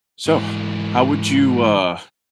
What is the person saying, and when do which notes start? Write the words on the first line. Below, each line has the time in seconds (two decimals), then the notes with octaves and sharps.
So, how would you, uh,
0.27 G#2 E3